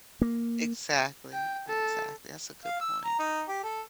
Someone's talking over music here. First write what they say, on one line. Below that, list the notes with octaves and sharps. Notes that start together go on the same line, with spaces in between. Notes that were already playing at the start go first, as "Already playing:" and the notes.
Exactly. Exactly, that's a good point.
A#3
G5
A4
F5
E6
A#5
D#4
G4
A4